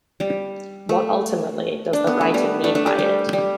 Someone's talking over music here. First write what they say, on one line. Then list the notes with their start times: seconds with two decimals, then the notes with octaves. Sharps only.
What, ultimately, does the writer mean by it?
0.20 G3
0.89 A3
1.93 D4
2.07 B3
2.21 A3
2.34 G3 B3
2.64 A3 D4
2.75 A3 D4
2.86 D4 G4
2.99 G3
3.33 G3